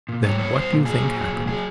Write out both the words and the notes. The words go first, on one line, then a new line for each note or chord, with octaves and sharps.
Then what do you think happened?
A#2
G3 C#5
A#2 C#5
G3 C5
A#2
F#3 G#4
A#2
F#3
A#2
F#3 G#4